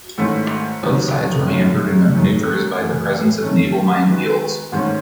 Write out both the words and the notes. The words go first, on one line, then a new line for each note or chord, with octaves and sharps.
Both sides were hampered in their maneuvers by the presence of naval minefields.
G#2 D#3 A3 C#4 E4
D#2 D#3 F#3
F#2 D#3 F#3 A3
D#2 D#3 F#3 A3
F#2 E3 A3 E4
D#3 A3 C#4
D#3 G#3 B3 F#4
G#2 D#3 A3 C#4